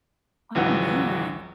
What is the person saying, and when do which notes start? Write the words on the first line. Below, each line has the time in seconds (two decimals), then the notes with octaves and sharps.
Oh, man.
0.55 G#1 C#2 E3 F#3 F#5